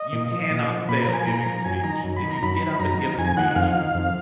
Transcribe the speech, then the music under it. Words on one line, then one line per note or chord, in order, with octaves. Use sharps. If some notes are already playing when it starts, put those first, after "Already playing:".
"You cannot fail giving a speech. If you get up and give a speech,
Already playing: D#5
A#2
F3
A#2
F3
A#2 B5
A#5
F3
G#5
A#2 A#5
F3
F#2 G#5
D#3 A#5
F#2
B5
D#3
A#5
F#2 B5
D#3
F#2 A#5
D#3
F2 G#5
D#3 F#5
F2 F5
D#3
F2